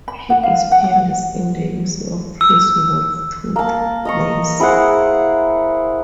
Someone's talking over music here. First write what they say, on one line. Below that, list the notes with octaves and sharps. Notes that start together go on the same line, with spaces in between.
He is peerless in the use of his wolf-toothed mace.
B5
F#5
F5
F#5
F#5
E6
A#3 A5
D#5 A#5 C#6
E4 G#4 C5 F#5